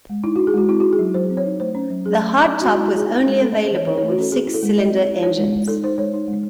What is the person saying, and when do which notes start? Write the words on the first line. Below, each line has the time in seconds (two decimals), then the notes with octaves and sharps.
The hardtop was only available with six-cylinder engines.
0.09 G#3
0.24 D#4 E4
0.36 D#4 F#4
0.47 G#4
0.54 G#3 F#4
0.69 C4 E4
0.80 D#4 F#4
0.93 G#4
0.99 F#3
1.14 F#3 C5
1.30 C4
1.37 C#5
1.45 D#4
1.60 A3 C5
1.75 C#4
1.90 F#3
2.06 F#3 G#4
2.20 A3
2.35 C#4
2.50 D#4
2.61 G#3 F#4
2.74 E4
2.80 G#3 F#4
2.96 D#4 G#4
3.11 D#4
3.26 G#3
3.41 A3 A4
3.53 C#4 D#5
3.65 C5
3.71 E3 C#5
3.87 E4 C#5
3.97 A3 C#5
4.09 F#4
4.18 C#4 A4
4.32 C4 G#4
4.47 E4
4.54 A4
4.63 G#3
4.78 G#3 D#5
4.92 C4
5.08 E4
5.22 D#4 C#5
5.38 G#3
5.52 G#3
5.68 D#4 A4
5.83 D#4 C5
5.98 G#3 C#5
6.14 D#4
6.28 G#3